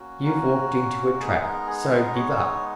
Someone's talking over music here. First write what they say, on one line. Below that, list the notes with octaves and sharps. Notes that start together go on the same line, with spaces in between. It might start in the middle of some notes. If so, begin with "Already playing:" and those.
"You've walked into a trap, so give up."
Already playing: A#3 C#4 F#4
A#4
G#3 B3 D#4 G#4
A#4
G#4
A#4
C#5